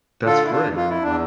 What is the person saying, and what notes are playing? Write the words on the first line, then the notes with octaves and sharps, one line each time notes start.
That's great.
D3 F4 A4
E4
D4 F4
F2
F4
E4
E2 D4